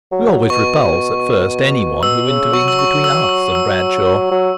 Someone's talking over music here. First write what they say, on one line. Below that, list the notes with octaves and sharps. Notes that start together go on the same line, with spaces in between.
We always repulse, at first, any one who intervenes between us and Bradshaw.
F#3
B2 C#6
B2 E6
C#3
F#3 C#6
E6
C#6
E6
E6
E6
F#3